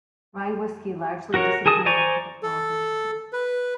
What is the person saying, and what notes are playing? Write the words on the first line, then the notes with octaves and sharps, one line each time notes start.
Rye whiskey largely disappeared after Prohibition.
F#4 A#4 C#5
G#4 A#4 A5 D#6
C5 D5 G#5 A#5 C#6
A4
B4